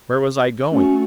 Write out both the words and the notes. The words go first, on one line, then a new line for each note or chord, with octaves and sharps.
Where was I going?
A3 C#4 F#4